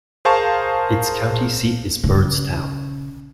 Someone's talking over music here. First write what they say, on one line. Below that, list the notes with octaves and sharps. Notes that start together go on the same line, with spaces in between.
Its county seat is Byrdstown.
G#4 A#4 C5 F5 A5 C#6
C#3